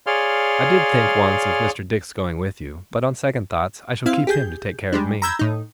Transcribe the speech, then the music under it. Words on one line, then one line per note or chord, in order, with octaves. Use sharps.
I did think, once, of Mr. Dick's going with you; but, on second thoughts, I shall keep him to take care of me.'
G#4 C#5 D5 F5 C6 F6
C4 E4 F5
G4 G#4 G6
G3 G#3 D4
A#5 B5 E6 G6 G#6
A2 D#4